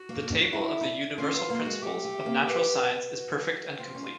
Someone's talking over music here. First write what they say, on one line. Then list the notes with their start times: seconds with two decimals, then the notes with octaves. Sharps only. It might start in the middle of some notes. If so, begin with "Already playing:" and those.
The table of the Universal Principles of Natural Science is perfect and complete.
Already playing: F#4
0.09 A#3
0.30 D4
0.53 E4
0.81 D#4
0.85 D4
1.18 C#4 F4
1.34 B3
1.39 F4
1.50 A#3
1.55 F4
1.61 F#4
1.66 G#3
1.82 A3 G4
2.05 A3
2.26 A#3
2.48 B3
3.13 F#4
3.78 C4 F4
3.95 C#4
4.03 D4